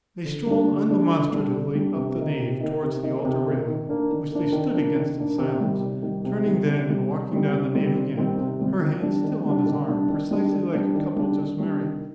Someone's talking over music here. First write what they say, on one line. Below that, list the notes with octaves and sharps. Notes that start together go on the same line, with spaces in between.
They strolled undemonstratively up the nave towards the altar railing, which they stood against in silence, turning then and walking down the nave again, her hand still on his arm, precisely like a couple just married.
D3
G3 D4
D3
G3 D4
D3
G3 D4
D3
G3 D4
C3
D#3 A#3 D#4
C3
D#3 A#3 D#4
C3
D#3 A#3 D#4
C3
D#3 A#3 D#4
D#3
A#3 D4
D#3
A#3 D4
D#3
A#3 D4
D#3
A#3 D4
C3
D#3 G3
C3
D#3 G3
C3
D#3 G3
C3
D#3 G3
C3
D#3 G3 C4
C3
D#3 G3 C4
C3
D#3 G3 C4
C3
D#3 G3 C4
D#3
G3 D4
D#3
G3 D4
D#3
G3 D4
D#3
G3 D4
D#3
G3 D4
D#3
G3 D4
D#3
G3 D4
D#3